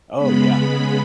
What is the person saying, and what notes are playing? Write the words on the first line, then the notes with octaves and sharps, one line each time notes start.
Oh, yeah.
C#3 G#3 B3 B5